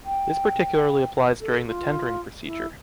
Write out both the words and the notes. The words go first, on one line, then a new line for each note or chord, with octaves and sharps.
This particularly applies during the tendering procedure.
G5
A4
F4
E4